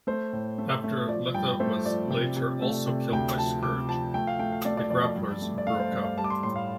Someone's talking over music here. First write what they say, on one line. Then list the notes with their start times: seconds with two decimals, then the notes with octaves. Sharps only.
After Letha was later also killed by Scourge, the Grapplers broke up.
0.07 A3 C5
0.33 A2
0.58 A3
0.84 A3
1.08 F3 D5
1.34 G2 G5
1.60 A3 C5
1.85 F3 D5
2.10 C3
2.36 C3
2.62 A3
2.87 C3
3.12 D2 G5
3.38 F3 A5
3.63 C3 D6
3.89 F3 A5
4.14 A3 G5
4.27 F5
4.39 A3 G5
4.52 F5
4.65 A3 D5
4.77 D5
4.90 F2 D5
5.03 D5
5.16 G2
5.42 A3
5.58 D5
5.67 A3 F5
5.80 C5
5.92 G2
6.04 F5
6.18 G3 A5
6.24 D6
6.30 C6
6.43 A2 C6
6.56 F5